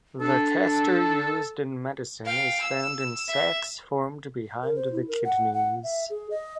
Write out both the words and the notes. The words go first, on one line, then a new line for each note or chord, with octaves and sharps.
The castor used in medicine is found in sacs formed behind the kidneys.
D4 A4
F5 G5
E6
E5
A#4
C5
E4
A#4
F#5
F#5
E5
G#4
D#5